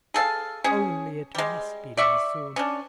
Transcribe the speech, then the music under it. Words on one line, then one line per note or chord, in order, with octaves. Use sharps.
Only it must be done soon.
G#4 A4 F5
C#4 G#4
G3 G#3
D5 E5 C#6
C#4 D4